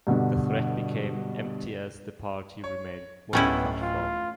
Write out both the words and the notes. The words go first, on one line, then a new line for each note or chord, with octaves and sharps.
The threat became empty as The Party remained multi-platform.
G2 B2 D3 D4
C#5
D1 A3 B3 C#4 E4 G4 F#7
F4